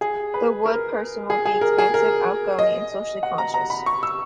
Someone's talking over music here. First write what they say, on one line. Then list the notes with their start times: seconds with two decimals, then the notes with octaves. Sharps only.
The Wood person will be expansive, outgoing and socially conscious.
0.01 G#4
0.34 B4
0.66 A#4
1.30 G#4
1.45 G#4
1.61 A#4
1.78 G#4
1.94 A#4
2.59 D#5
3.23 F#5
3.38 A#5
3.54 A#5
3.70 B5
3.86 C#6
4.03 E6